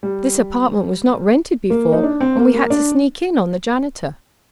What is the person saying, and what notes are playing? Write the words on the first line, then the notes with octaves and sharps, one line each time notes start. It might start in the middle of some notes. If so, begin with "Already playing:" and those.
This apartment was not rented before and we had to sneak in on the janitor.
G3
A#3
D#4
D4
C4
A#3
A#3
D4